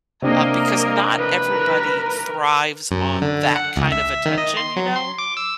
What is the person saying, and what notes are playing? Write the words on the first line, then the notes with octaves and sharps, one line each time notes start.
um, because not everybody thrives on that kind of attention, you know?
C3 A#3 D4 A#4 D#5
B4
A#4
F#2
D3
F#5
C#2
E5
D#3
D#5
C6
F#3
C6
D6
E6